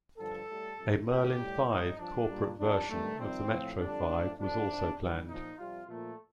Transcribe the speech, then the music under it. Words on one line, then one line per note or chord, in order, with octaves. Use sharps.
A Merlin Five corporate version of the Metro Five was also planned.
G2 D3 F3 A4
A2 G3
F2 C3 D#3 G3
A2 F3 G4
A2 G3
A2 G3 D#4
G2 F3 D4
A#2 G3
F2 D#3 G3 D4
G2 D#3 G3 A3
F2 C3 D#3 G3 C4
A2 F3
F2 D3 G3 D4
A2 F3
G2 D3 F3 D4
F2 C3 F3
G2 D#3 G3
A#2 F3 D#4
F2 C3 G3 F4
A#2 F3 A3